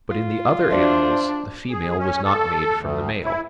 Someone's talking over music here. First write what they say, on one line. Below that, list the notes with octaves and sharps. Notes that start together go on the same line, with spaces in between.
But in the other animals the female was not made from the male.
F4
D4 F#4 C5 D5 E5
G#4
C#4
A4
D2
E4